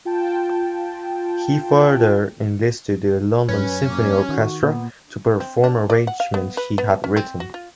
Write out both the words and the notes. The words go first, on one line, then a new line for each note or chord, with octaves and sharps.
He further enlisted the London Symphony Orchestra to perform arrangements he had written.
F4 G5 A5
F#2 C#4 B4
A#3
D#3 F#4
A#2 B3
C4
D4
D5
F#5
F5
B3
B4
B3
C#4
C4
F#4
F4